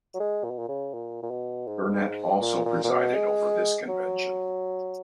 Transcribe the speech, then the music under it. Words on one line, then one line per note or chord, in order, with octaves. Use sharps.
Burnett also presided over this convention.
F#3
G#3
A#2
B2
A#2
C#3
A#2
A#2
B2
G#2
A#2
A#2
A#2
B2
G#3
F#3